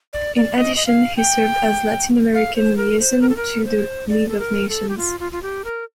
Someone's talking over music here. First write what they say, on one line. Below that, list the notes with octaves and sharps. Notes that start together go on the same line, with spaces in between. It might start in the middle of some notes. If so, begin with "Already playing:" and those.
In addition, he served as Latin American Liaison to the League of Nations.
D5
D5
D#5
D#5
F5
G5
F5
C5
A#4
C5
A#4
A4
A#4
C5
D5
A4
A#4
A4
G4
F4
F4
F4
G4
A#4